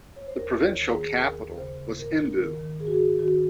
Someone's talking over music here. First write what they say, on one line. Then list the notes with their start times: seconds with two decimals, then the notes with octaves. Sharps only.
The provincial capital was Embu.
0.16 C#5
0.26 C5
0.36 D#2 A#4
0.57 D#2
0.63 C#5
0.77 D#3
0.90 G#4
0.97 D#3
1.17 D#2 A#4
1.37 D#2
1.58 C#3 C5
1.77 C#3
1.98 G#2 A#4
2.18 G#2
2.39 D#3 A#4
2.59 D#3
2.80 G#2 G#4
2.87 F#4
2.94 G#4
3.00 G#2
3.19 D#3 F#4